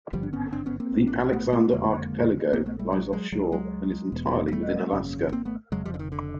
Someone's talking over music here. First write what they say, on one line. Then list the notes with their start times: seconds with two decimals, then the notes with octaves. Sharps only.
The Alexander Archipelago lies offshore and is entirely within Alaska.
0.13 G#1 G2 D3 F3 G3
0.23 D4
0.33 B3 C#4
0.52 C4 D4
0.66 B3 C#4
0.80 A#3 C4
0.92 A#1 A2
1.07 D4
1.15 C#4
1.24 C4
1.33 A3 B3
1.53 A3 B3
1.72 F#1 F2 D3 G#3 A#3
2.53 A2 A#3 C4
2.58 A#1
2.66 A3 B3
2.79 G3 A3
2.92 F#3 G#3
3.12 F#3 G#3
3.32 C#2 C#3 F#3 G#3
3.52 F#3 G#3
4.12 E1 E2 B2
4.48 A#3
4.52 G3 A3
4.92 G#1 F#2 C#3
5.32 A#3 C4
5.45 A3 B3
5.72 F1 F2 C#3 F#3 G#3
5.85 F3 G3
5.94 D3
5.99 D#3
6.12 D3